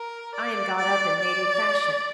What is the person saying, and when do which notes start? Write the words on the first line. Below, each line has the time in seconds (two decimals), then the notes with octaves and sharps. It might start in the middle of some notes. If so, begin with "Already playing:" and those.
I am got up in native fashion.
Already playing: A#4
0.35 D5
0.77 D5
1.20 D5